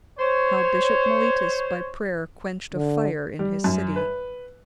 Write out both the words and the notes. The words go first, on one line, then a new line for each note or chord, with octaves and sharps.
How Bishop Mellitus by prayer quenched a fire in his city.
C5 C#5
D3
G3
F#2
B4